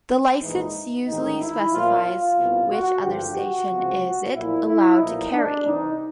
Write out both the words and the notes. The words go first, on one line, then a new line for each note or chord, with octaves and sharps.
The license usually specifies which other station is it allowed to carry.
A#1 G#2 E3 D#4
A1 G#2 D#3 D#4
E4
B1 A#2 F3 F4
F4
C2 B2
F#4
G#1 G2 D3 F3 G4
F#4
C#2 C3 F3
B1 A#2 F3 E4
E4
B1 A#2 F3 D#4
D4
C2 C3 E3 D#4